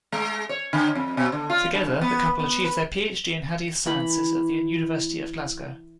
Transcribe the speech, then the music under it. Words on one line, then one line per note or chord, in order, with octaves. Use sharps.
Together, the couple achievhed their PhD in Hadeeth Sciences at the University of Glasgow.
G#3
C#5
D3
F2
B2
D3
F4
G2
B3
B3
B4
E3 E4 B5